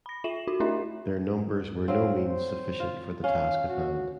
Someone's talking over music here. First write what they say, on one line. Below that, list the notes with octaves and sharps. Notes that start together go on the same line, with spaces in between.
Their numbers were no means sufficient for the task at hand.
B5 A#6
F4 E5 D#7 E7 F#7
D#4 F#4
A3 D4 E4 A#4 D#5 E5
F#3 C4 F5
C5
F4
C#4 F5
F#4